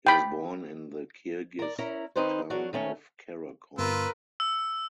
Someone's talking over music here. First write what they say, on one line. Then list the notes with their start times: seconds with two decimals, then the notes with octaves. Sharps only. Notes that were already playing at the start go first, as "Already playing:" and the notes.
He was born in the Kirgiz town of Karakol.
0.07 G5 B5
1.59 A#4 D5
1.78 C#4 E4 A#4 A#5
2.16 D#3 C4 D#4 B4 C5
2.50 F#3 D4 F#4 A#4
2.73 D#3 A3 C#4
3.78 G2 D3 B3 F4 A#4 B4 E6
4.40 E6